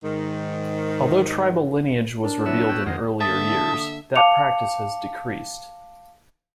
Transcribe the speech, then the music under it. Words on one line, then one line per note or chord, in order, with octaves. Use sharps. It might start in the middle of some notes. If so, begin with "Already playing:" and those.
Although tribal lineage was revealed in earlier years, that practice has decreased.
G#2 D#3
D4 A#4
C3 E3 F#3 B3 F#4 E6
C#5 G5
F2 D#3 F3 G#3 F#5 A#6
D3 A#3 A4 E5 A5 D#6
F5 A5 D6 C#7 F7